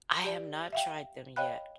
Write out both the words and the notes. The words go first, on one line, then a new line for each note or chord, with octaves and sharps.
I have not tried them yet.
G4 D5
E5 F5 G5
C#5 D#5 F5 G5 B5 F#6